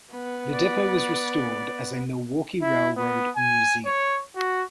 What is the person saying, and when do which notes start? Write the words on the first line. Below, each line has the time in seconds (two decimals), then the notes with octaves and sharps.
The depot was restored as a Milwaukee Railroad museum.
0.12 B3
0.53 D5
2.62 E4
2.97 B3
3.36 G#5
3.86 C#5
4.36 F#4